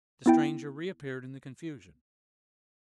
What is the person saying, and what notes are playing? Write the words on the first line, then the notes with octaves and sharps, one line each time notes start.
The stranger reappeared in the confusion.
B3 E4 G5